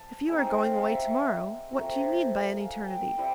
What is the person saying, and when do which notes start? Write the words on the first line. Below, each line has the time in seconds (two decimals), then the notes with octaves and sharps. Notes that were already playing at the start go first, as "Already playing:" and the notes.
"If you are going away to-morrow, what do you mean by an eternity?"
Already playing: A5
0.28 G#3 C4 D#4 G#5
0.46 G5
0.65 F5
0.83 E5
1.01 F#5
1.73 F3 A3 C4 A#5
2.46 G#5
2.57 F5
2.70 F#5
2.82 G5
3.17 G3 C4 E4